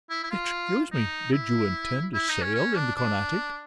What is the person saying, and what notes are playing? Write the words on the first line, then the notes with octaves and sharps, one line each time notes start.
"Excuse me, did you intend to sail in the Carnatic?"
E4
E4
F4
D#4
E4
E4
D#4
C#4
C#4
D4
D4